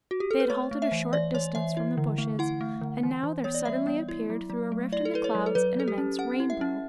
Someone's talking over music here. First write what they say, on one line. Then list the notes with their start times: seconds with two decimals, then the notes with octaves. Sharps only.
They had halted a short distance from the bushes and now there suddenly appeared through a rift in the clouds an immense Rainbow.
0.11 F#4
0.20 G4
0.31 A4
0.40 B4
0.50 A3 C#5
0.71 A3
0.82 E5
0.92 E3
1.13 E3 D5
1.34 E3 C#5
1.55 E3 E5
1.77 E4
1.97 D3
2.18 A3
2.39 E4 F#5
2.61 A3
2.81 D3
3.03 E3
3.23 E3
3.44 B3 C#5
3.54 D5
3.65 G3 E5
3.87 B3
4.09 E4
4.30 F#3
4.50 F#3
4.72 A3
4.92 E4 D5
5.05 A4
5.14 E4 B4
5.24 C#5
5.35 F#3
5.46 A4
5.55 F#3 B4
5.77 F#3 A4
5.88 G4
5.98 C#4
6.19 C#4 F#5
6.40 E4
6.50 E5
6.61 C#4